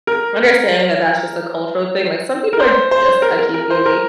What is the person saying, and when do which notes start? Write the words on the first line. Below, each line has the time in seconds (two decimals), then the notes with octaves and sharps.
understanding that that's just a cultural thing like, some people are just touchy-feely,
0.07 A#4
2.53 A#4
2.60 C5
2.91 C5
3.22 A#4
3.39 A#4
3.54 A#4
3.71 C5
3.86 A#4